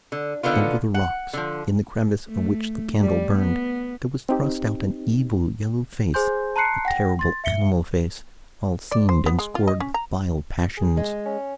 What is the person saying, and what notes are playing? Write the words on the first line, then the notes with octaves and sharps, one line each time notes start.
Over the rocks, in the crevice of which the candle burned, there was thrust out an evil yellow face, a terrible animal face, all seamed and scored with vile passions.
D3
D3 D#3 B3 F4
F#5
D3 F3
A3
G3
B3
C4 D#4 G4
G#4 C5 G#5 C6 G6
A5 A#5 C6 F#6 C7 C#7
F#5 G5 A#6
C6 A6
E5 C#7 G7
D5
C5
B3
G#3
F4
D#5
C#4
A#5
G#4
G#3
C#4